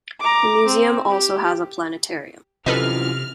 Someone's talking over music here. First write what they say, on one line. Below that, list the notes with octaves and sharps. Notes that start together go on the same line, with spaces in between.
The museum also has a planetarium.
A#5 D6
C4
G4
F#2 C3 E3 F3 A4 B4 D#5 F6